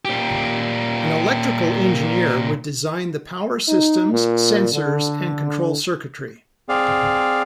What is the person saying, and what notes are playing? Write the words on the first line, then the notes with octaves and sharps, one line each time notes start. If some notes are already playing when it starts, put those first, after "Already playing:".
An electrical engineer would design the power systems, sensors, and control circuitry.
A#2 G4
D#4
A#2
D3
C4 G#4 D5 F5